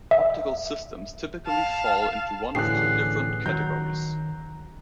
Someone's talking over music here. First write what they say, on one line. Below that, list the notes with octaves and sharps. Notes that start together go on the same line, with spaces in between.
Optical systems typically fall into one of two different categories.
E5
F5 A5
A2 D3 E3 C#4 G4 G#4 F#6 C7
D#3 F#3 A#5 G6